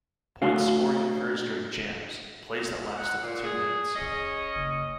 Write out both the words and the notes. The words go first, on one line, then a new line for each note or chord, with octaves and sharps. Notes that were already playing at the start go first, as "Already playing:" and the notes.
Point scoring occurs during "jams": plays that last up to two minutes.
A3 D4 F#4 F5
F#5
A#2
G#4
C#4 D#5
F#1